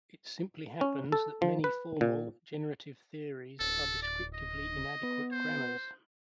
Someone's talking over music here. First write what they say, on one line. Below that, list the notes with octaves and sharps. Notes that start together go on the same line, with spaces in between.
It simply happens that many formal, generative theories are descriptively inadequate grammars.
C#4
A4
F3
B4
A#2
D1 A4
D5
D#5
B3
C5